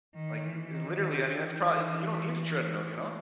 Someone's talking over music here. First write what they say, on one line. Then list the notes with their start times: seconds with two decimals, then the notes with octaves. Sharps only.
Like, i i literally, I mean, that's probably y you don't need a treadmill, you know?
0.15 D#3
0.45 E3
0.74 D#3
1.34 E3